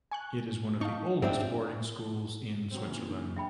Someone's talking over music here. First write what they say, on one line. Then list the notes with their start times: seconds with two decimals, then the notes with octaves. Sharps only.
It is one of the oldest boarding schools in Switzerland.
0.11 G#5 C#6 F#6
0.81 D#4 F5 A5 C#6
1.22 G#2 G3 C4 D4 E5
2.71 F#3 G3 C4
2.87 A#2 C#3 E3
3.08 D4
3.36 E5 G5 B5